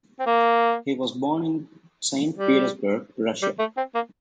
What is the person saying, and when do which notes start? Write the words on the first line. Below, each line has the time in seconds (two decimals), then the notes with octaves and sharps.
He was born in Saint Petersburg, Russia.
0.20 C4
0.26 A#3
2.37 G3
3.42 G3
3.59 A3
3.77 C4
3.95 A#3